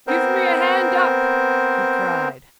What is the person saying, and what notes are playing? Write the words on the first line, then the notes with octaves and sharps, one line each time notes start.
"Give me a hand up!" he cried.
B3 C4 A#4 C5